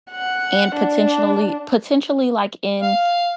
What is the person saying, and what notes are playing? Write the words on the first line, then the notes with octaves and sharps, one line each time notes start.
and potentially- potentially, like, in
F#5
D4
F5